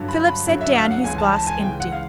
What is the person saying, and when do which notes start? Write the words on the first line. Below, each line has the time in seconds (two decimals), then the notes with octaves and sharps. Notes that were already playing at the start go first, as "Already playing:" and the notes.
Philip set down his glass empty.
Already playing: G2 D3 F#3
0.08 B5
0.28 B5
0.47 G2 D3 F#3
0.61 E5
0.75 F5
0.91 F#5
1.04 C#2 C#3 E3 G#5
1.18 A5
1.33 A5
1.47 G#5
1.61 C#2 C#3 E3 G5
1.80 F#5
1.92 F5